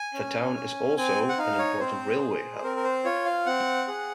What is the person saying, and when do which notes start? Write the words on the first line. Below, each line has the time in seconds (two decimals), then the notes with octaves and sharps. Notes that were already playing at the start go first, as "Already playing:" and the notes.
The town is also an important railway hub.
Already playing: G#5
0.13 C#4
0.55 C#4
0.97 C4 G#5
1.29 F#5
1.38 D#4 F5
1.59 C#5
1.80 C4 C5
2.21 G#4
2.64 C4 A#4
2.76 A#4
2.84 C5
3.04 F4 C#5
3.26 F5
3.46 C4 F#5
3.88 G#4